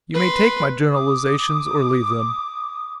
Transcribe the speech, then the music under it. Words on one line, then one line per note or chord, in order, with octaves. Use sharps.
You may take my generalizations or leave them.
B4 C6
D6 D#6